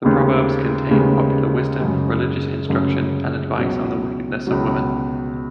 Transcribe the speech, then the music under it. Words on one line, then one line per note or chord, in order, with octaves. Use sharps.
The proverbs contain popular wisdom, religious instruction, and advice on the wickedness of women.
D#2 C#3 G#3 B3
D#2 C#3 G#3 B3
F#2 C#3 G#3
F#2 C#3 G#3
C#2 B2 F#3
C#2 B2 F#3